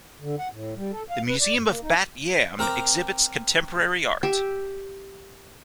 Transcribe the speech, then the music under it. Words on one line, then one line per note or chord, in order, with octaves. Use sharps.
The Museum of Bat Yam exhibits contemporary art.
D3
F#5
A2
G3
A4
F5
B4
D5
G2
A#3
D#4
C4 A#4 G5 D6
G4 E5